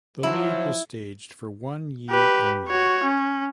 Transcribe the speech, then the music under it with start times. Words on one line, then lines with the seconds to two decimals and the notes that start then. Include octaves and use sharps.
The league was staged for one year only.
0.23 F3 F#3 E4
2.09 G4 B4
2.68 F#4 C#5
3.03 C#4